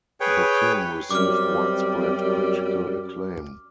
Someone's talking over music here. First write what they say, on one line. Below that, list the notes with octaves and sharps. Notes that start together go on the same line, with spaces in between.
The film received widespread critical acclaim.
G#4 B4 C#5 G5
F#2 G3 C4 D6 F6